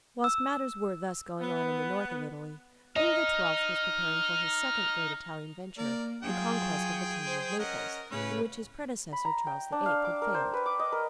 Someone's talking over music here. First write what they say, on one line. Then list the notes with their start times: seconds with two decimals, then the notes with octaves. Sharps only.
Whilst matters were thus going on in the north of Italy, Louis XII. was preparing for his second great Italian venture, the conquest of the kingdom of Naples, in which his predecessor Charles VIII. had failed.
0.24 E6
1.41 B3
2.96 D#4 D#5 F6
5.78 A#3 A#4 D5
6.23 F#3 F4 G#4 G5 G#5
7.26 C5
7.59 C#4 A#4 D#5 F#5
8.11 A2 C#3 C#4 B4
9.13 B5
9.25 A#5
9.47 G5
9.72 D4
9.86 F5
10.04 D6
10.22 A#4
10.34 C5
10.53 B4
10.66 D6
10.79 D#5
10.92 A#4